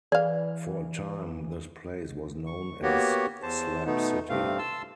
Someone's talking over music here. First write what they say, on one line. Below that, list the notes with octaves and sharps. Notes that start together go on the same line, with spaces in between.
For a time this place was known as "Slab City".
E3 G#4 D5 F5
C#6
A#3 B3 F#4 G4 C#5
E2 C5 A5
B2 A3 B3 D#4
G2 C3 A3 C4 F5
A5 C6 E6